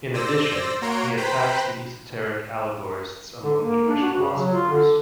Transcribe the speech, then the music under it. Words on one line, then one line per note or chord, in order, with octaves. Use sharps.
In addition, he attacks the esoteric allegorists among Jewish philosophers.
C5 D5 E6 A#6
A#3 F#4 C#5 A#5 C6 D7
B4 C5 G5 A#5 B5
D3
A#3
D4
F#4
C#3
F#3
F4
D3